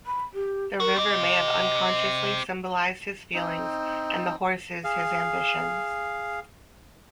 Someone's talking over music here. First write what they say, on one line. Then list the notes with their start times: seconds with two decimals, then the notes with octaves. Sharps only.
The river may have unconsciously symbolized his feelings and the horses his ambitions.
0.06 B5
0.34 G4
0.80 F#4 A#4
0.96 C4 G4 D#5
3.34 C4 D#4
4.84 G#4 F5